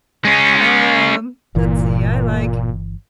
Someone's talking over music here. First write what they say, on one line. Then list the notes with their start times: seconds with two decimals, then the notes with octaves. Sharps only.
Um, let's see, I like
0.25 G#3 C#4
1.55 G1 A#2 E3